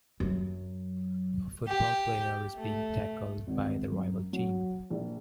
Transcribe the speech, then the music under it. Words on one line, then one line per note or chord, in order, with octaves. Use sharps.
A football player is being tackled by the rival team.
F#2 F#3
G4
A3
G#1
F#2
F#3
A#1